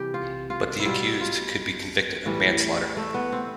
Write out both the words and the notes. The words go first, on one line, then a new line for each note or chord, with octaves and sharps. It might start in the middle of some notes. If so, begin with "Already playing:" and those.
But the accused could be convicted of manslaughter.
Already playing: C3 E3 G3 G4
F4
F4
E4
B2 G3 F4
F4
A2 E3 G3
A3
B3
C4